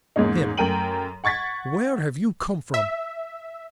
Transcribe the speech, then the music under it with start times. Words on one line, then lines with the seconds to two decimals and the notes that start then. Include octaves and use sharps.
HIM: Where have you come from?
0.16 E2 G#2 G#3 A#3 C#4 D#4
0.57 F#2 A3 A#4 G5 D#7 F#7
1.24 F#5 C#6 G#6 A6 B6
2.74 E5